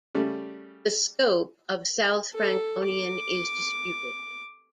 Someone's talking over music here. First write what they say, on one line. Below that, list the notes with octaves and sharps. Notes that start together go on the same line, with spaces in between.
The scope of South Franconian is disputed.
C#3 G3 A3
A4
D6